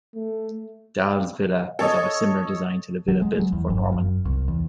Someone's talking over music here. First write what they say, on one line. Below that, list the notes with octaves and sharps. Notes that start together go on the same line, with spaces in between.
Dahl's villa was of a similar design to the villa built for Normann.
A3
A4 C#5 D#5
F#3
G#3
F#3
E2
G1
F#2
C2
E2